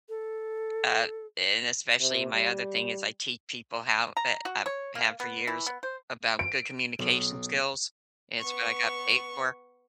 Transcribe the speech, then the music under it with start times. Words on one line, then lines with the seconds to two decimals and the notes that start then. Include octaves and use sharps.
uh and, especially my other thing is I teach people how eh I have for years, about good communication skills, it's what I got paid for,
0.09 A4
2.00 C3
2.34 G3
4.17 A#5
4.45 F#4
4.66 C#5
4.95 A#3
5.20 B3
5.47 E3
5.66 B3
5.83 C5
6.39 D7
6.99 B1
8.40 B3 C#6